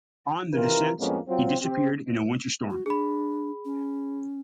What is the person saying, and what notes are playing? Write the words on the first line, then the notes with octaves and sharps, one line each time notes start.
On the descent he disappeared in a winter storm.
C3 D#3 E3 F4 A#4
F2 A2 G#3 A#3 B3 C#4
F#3 C4 F4
C4 G4
F#4
D4 G#4 B5
C#4